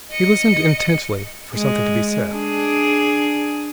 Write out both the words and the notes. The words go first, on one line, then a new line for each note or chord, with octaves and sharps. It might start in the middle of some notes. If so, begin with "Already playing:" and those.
He listened intently for something to be said.
D#5 C#7
G#3
D4 G#4